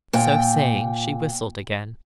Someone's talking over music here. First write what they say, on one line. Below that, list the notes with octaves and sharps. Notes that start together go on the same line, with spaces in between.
So saying, she whistled again.
A#2 G5